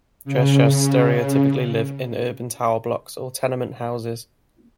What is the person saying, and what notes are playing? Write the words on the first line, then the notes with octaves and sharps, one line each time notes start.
Dresiarze stereotypically live in urban tower blocks or tenement houses.
C#3